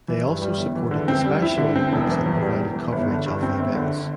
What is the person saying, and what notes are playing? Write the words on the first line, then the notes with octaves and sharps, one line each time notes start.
They also supported the Special Olympics and provided coverage of the events.
E3
G2
G3
G1
E3
D3
C4
G3
E4
D3
C4
E1
E3
E2
G3
E1
E3
G1
D3
G2
C4
G1
D3